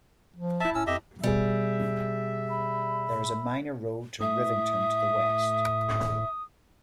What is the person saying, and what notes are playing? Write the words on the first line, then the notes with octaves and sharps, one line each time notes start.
There is a minor road to Rivington to the west.
F3
E4 E5 A5
A2 C#4 E6
F2 G4 D#5 E5
B2 G3 G#4 E5
B5
A2 E5 D#6